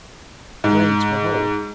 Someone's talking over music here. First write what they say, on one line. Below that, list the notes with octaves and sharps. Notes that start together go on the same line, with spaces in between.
The blades were whole.
G#2